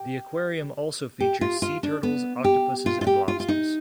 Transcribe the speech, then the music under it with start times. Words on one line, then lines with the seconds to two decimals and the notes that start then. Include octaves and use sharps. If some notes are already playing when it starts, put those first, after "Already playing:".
The aquarium also features sea turtles, octopuses, and lobsters.
Already playing: G4
1.20 G4
1.41 F4
1.62 F4
1.83 D4
2.03 B3
2.44 G4
2.86 F4
3.01 F4
3.07 G4
3.28 F4
3.40 F4
3.48 D#4